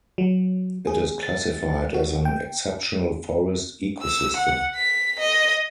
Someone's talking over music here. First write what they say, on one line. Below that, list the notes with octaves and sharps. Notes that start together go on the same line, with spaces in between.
It is classified as an exceptional forest ecosystem.
F#3
G#4
A6
F#4
G5
E6
F#5
B6
D#5